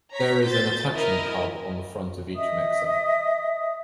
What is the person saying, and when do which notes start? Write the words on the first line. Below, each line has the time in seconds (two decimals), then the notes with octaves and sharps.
There is an attachment hub on the front of each mixer.
0.12 C#5 A#5 B6
0.44 C5 G6 A6
0.93 E4 A#4 D#5
2.36 D#5 E5 D#6